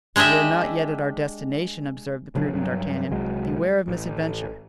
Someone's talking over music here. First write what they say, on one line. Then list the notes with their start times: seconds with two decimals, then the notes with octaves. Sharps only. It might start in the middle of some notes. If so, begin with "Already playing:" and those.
"We are not yet at our destination," observed the prudent D'Artagnan; "beware of misadventure."
0.16 G#3 D4 G4 D#5 E5
2.35 A1 C#3 F#3 D4
2.53 G2 F#3
3.11 C2 F#3 G#3
3.88 A1